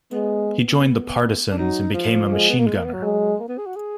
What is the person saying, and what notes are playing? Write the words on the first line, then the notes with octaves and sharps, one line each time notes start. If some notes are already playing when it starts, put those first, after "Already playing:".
He joined the partisans and became a machine gunner.
G#3 B3
B3
D4
F#3 D#4
F3
G#3
B3
A#3
G#3
A#3
B3
F#3
G#3
A#3
B3
G#4
F#4
G#4